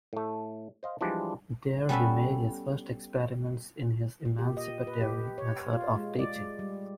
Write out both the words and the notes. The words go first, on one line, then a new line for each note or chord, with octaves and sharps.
There he made his first experiments in his "emancipatory" method of teaching.
A2 A3
C5 D#5 F5
E3 F3 G3 G#3 D4
G3 B3 C#4 A4 B4 E5
A#2
G4
D#5
B4
G4
C#5
F4
G#3
D5
G#3
G3